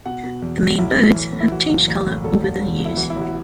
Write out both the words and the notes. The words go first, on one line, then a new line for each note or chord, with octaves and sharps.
The main birds have changed color over the years.
B2 F#5
B2
E2
E2
B1 E4
A2
E3
A2
E4
E3 F#4
F#1
A1
A2
E1 A4
E1
C#2
B2
E4
E3 F#4
E4
A1
F#4